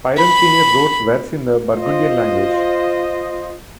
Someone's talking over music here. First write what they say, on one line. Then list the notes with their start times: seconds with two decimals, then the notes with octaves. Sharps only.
Piron senior wrote verse in the Burgundian language.
0.18 B5
1.74 F4 C5 D#5